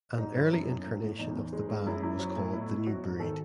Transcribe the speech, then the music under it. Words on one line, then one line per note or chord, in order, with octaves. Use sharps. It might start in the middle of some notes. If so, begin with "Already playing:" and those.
An early incarnation of the band was called the New Breed.
G#2 D#4
F#3 E4
F#2
F#2
A2
A2
E2 D#4
E2
G#3
G#3
F#2 E4
F#2 E4
F#3
A2
B2 E4
B2
F#3 F#4
G#2
D#3 A4